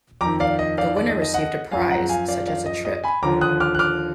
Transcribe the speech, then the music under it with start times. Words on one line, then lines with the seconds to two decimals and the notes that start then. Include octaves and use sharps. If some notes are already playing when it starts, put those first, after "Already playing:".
The winner received a prize such as a trip.
0.21 F2 D#3 A#5 D6
0.40 D5 F5
0.59 D#5
0.78 D5 F5
0.97 D5
1.09 D#5
1.22 D#5
1.34 D#5 F#5
1.72 F#2 F3 F5 G#5
1.91 F#5 A#5
2.09 F5 G#5
2.28 D5 F5
2.47 D5 F5
2.66 D#5
2.85 D#5
3.04 G#5 B5
3.23 D#2 D3 F3 A#5 D6
3.41 D#6 F#6
3.60 D6 F6
3.75 F#6
3.79 D6 F6